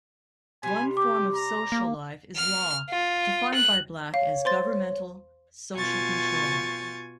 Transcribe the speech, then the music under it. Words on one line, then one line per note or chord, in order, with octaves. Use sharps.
One form of social life is law, defined by Black as governmental social control.
C3 G3 G#5
G4 D6
A#5
A#3
F6
F4
F#6
C#5 F5
C5 C6 A6
B2 F4 G#5 C#6 G6 A6